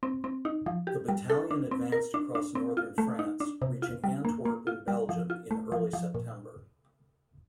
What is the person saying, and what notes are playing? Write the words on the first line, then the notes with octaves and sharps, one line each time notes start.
The battalion advanced across Northern France, reaching Antwerp in Belgium in early September.
C4
C4
D#4
F3
G4
G3
A4
D4
C4
A#4
D4
D4
C4
F4
A3
D#4
D4
C3
F4
G3
A#3
A#3
F4
G3
F3
F4
A3
F3
F3
A#2